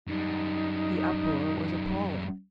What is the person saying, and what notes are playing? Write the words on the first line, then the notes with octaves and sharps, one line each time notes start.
The uproar was appalling.
F#2 G3 D#4